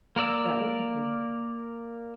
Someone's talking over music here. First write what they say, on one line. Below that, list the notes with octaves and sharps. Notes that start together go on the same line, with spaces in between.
That would be good.
A#3 A#4 D5 E6